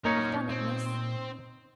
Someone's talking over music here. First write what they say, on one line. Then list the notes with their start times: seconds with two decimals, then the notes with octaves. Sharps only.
'I've done it, miss.
0.05 A#2 C#4 D#4 A#4 C#5
0.50 C4